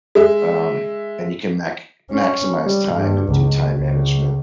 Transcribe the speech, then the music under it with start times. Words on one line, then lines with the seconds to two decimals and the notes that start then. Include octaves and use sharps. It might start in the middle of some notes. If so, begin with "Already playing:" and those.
um, and you can mac maximize time and do time management
0.15 G#3 E5
2.11 C#4
2.63 G3
2.93 G2
3.29 C#2
3.78 C#2